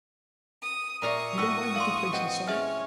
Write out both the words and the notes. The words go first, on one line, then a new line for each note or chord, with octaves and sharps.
You know my little place in Surrey?
D#6
A#2 A#4 D5 E5 F5 A#5 C#6 D#6
A2 F#4 E6
D4 F5 C6
C4 B4 D#5 F#5
C#4 G#4 C#5 E5 F6